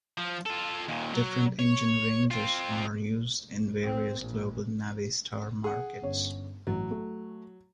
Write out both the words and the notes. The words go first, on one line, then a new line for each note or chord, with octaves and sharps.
Different engine ranges are used in various global navistar markets.
F3
F4 A4
D#2 A#2
F#3
C#5
C4 F4
C4
A#1
G#4 F#5
G1 C#4 C#5
A1 F#3
A3